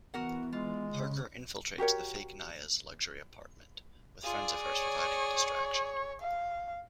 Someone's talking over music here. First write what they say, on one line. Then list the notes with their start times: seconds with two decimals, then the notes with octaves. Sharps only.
Parker infiltrates the fake Naia's luxury apartment, with friends of hers providing a distraction.
0.14 E3 B3 F#4 A#4 F#5
0.52 G#3 F4
0.93 C#3
1.78 F#4 G4 A#4 C#5
4.24 F4 G#4 D5
4.63 C#5
6.21 F5